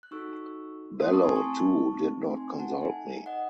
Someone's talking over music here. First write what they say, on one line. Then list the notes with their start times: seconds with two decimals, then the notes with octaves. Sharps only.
Bello too did not consult me.
0.03 F#6
0.11 D#4 F#4 A4 C#6 E6
1.01 A3 C4 E4 C6 D#6
1.13 A5 C#6
1.24 G#5 C6
1.36 A5 C#6
1.91 A3 C4 D#4
2.36 G#5 C6
2.59 F#5 A5
2.81 D#4 A4 E5 G#5
3.26 D#5 F#5